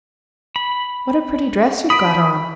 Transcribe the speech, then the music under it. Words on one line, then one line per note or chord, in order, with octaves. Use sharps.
"What a pretty dress you've got on!"
B5
B5 D#6 B6 D7